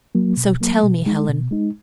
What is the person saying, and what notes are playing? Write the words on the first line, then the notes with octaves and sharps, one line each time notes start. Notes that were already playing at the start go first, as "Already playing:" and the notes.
So tell me, Helen.'
F#3 A#3
B2
F#3 A#3
B2
G#3 D#4
B2
G#3 D#4